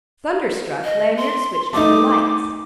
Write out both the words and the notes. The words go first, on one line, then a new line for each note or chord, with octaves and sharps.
Thunderstruck, Lanyard switched on the lights.
D#5
C6
A3 D#4 D6